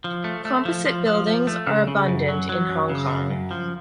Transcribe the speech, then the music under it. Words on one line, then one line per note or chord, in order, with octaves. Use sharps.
Composite buildings are abundant in Hong Kong.
F3
A3
A3
F3
F3
F3
F3
A3
C#3
C#3
F#2
F#3
F#3
F#2
C#3
F#2
F#2
F3